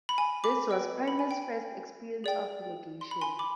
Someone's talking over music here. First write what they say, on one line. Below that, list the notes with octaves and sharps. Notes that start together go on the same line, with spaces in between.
This was Primus' first experience of relegation.
B5
G#5
B5 D6
B4 D#5 G5
B5
G#5
G5
G#5
G#4 D5 G5
C6
B5
G#5 C6
B5 D6